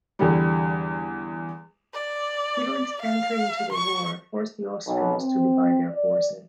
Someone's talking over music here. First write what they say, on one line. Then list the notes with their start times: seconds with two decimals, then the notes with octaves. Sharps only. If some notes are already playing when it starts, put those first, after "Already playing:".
Italy's entry into the war forced the Austrians to divide their forces.
0.19 E2 D3 G3
1.94 D5
3.02 F5
3.72 C#6
4.88 B1
5.21 C4
5.90 D5